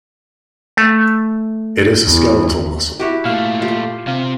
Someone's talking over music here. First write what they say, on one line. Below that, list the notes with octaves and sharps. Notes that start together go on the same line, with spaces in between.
It is a skeletal muscle.
A3
E2
E4 F#4 G4
A#2 A3 F5
F4 G4
C3 F5